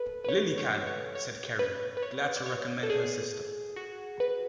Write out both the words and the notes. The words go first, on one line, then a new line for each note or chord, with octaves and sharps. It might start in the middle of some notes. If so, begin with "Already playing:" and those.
"Lily can," said Kerry, glad to recommend her sister.
Already playing: A4 B4
B4
C#5
C#5
C#5
C#5
B4
B4
C#5
D5
C#5
A4
G#4
F#4
B4